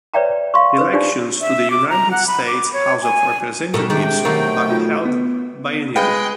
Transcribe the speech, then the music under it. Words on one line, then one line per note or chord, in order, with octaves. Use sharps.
Elections to the United States House of Representatives are held biennially.
B4 C#5 D5 E5 G5 A#5
F5 C6 C#6
B4 C5
D4 D#4 F4 G4 C5 D5
E5
D6
A#5
F#5
B5
D6
C#5
G#5
B2 D3 G3 A3 A4 A#4
C3 D#3 G#3 D4 G#4 G5
B2 D#3 F#3 A3 A#3 A#4
D#4 F4 F#4
B3
G#3 B4 F5 G5